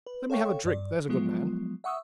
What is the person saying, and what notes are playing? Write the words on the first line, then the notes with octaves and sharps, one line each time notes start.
Let me have a drink, there's a good man.
B4
A4 C#5 F5 G5 C#6
G2 D5
F3 F#3 G#3 B3 F4
E5 F#5 C#6 D#6 E6